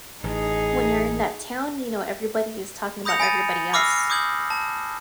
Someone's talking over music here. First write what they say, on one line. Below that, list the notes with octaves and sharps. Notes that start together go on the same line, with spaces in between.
When you're in that town you know everybody is talking about everybody else.
A1 D#4 G#4
B5 D#6 G6 A#6 C#7 F7
G#5 B5 A6 D#7
B5 D6 E6 F6 A#6 C7
D6 D#6 G6 G#6 F#7
A5